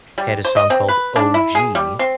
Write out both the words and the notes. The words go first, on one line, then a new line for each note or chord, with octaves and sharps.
had a song called OG,
G3
C5
D#5
C4
B4
D4
E4
G#4
G3
C4